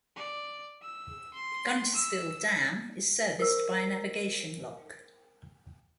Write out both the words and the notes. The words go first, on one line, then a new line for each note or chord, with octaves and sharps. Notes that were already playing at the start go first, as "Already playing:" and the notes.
Guntersville Dam is serviced by a navigation lock.
D5
E6
C6
E6
A#4 C5 E6